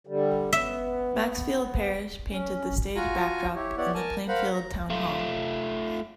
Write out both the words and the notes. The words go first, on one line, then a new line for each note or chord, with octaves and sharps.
Maxfield Parrish painted the stage backdrop in the Plainfield Town Hall.
D3 G3
B3 E5
C#4
F4 F#4 G#5 A#5
E4 G4 C#5
B3 E4 G4 C#5 D5 F#5
A#4 G#5 A5
A#4 C5 F5 F#5 B5
A#5
A3 F4